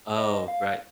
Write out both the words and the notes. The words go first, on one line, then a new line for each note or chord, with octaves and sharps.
Oh, right.
D#5
F5